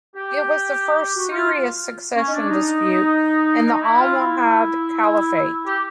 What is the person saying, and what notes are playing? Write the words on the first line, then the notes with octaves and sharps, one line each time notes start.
It was the first serious succession dispute in the Almohad Caliphate.
G4
F#4
F4
C#4
D#4
D4
D#4
D#4
E4
F4
E4
G4